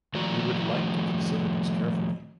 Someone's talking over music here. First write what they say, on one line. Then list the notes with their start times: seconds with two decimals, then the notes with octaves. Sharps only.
We would like to consider this carefully.
0.14 D#3 F3 A3 F#4 D5 A#5